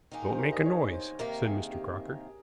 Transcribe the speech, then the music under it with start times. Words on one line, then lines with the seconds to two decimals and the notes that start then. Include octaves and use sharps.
"Don't make a noise," said Mr. Crocker.
0.12 D#3 A#3 D#4 G#4
0.25 G4
0.33 C5
0.38 A#4
0.52 D#5
0.66 C#5
0.93 C5
1.19 C3 D#3 A#3 A#4
1.46 G#4
1.73 G4